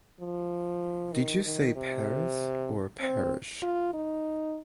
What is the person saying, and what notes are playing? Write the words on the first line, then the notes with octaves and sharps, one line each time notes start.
Did you say Paris or Parish?
F3
D#3
D#3
C3
C4
F4
D#4